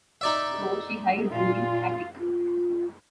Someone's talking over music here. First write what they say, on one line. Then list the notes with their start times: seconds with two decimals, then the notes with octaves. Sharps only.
So she hides in the attic.
0.21 D#4 D5 E5
1.31 A#2 F4
2.18 F4